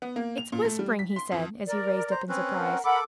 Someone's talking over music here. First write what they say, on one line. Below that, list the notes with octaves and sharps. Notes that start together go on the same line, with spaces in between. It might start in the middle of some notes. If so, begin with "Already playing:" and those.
"It's whispering!" he said, as he raised up in surprise.
B3
A#3
F7
A#2
A3
G3
B6
C6
F2
A#4 D5
C5 A#5
C4 C#4 B4 C#5
A#4 F#5
A4 A#4 F#5 B5 D6